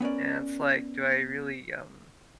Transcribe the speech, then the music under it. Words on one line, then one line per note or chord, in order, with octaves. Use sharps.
And, it's like, do I really, um,
B3 C#4 A#4 D5